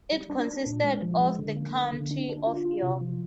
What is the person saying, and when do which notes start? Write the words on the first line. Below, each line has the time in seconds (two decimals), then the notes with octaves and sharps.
It consisted of the County of York.
0.12 G3
0.30 D4
0.48 D4
0.66 A#2
0.84 G#3
1.02 F3
1.21 G#3
1.39 D3
1.56 A#3
1.75 A#3
1.93 D3
2.11 D4
2.29 D4
2.47 F4
2.65 F4
2.83 C3
3.01 F3